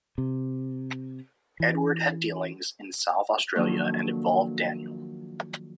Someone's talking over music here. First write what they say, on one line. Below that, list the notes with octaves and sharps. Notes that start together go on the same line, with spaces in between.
Edward had dealings in South Australia and involved Daniel.
C3
E3
D#3 F3 F#3 A#3 D4 A4